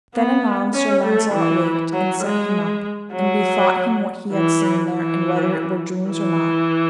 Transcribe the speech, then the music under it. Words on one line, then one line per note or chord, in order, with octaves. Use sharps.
THEN anon Sir Launcelot waked, and set him up, and bethought him what he had seen there, and whether it were dreams or not.
B3
C#4
A3
E3
F#3
G#3
F#3
E3
E3
E3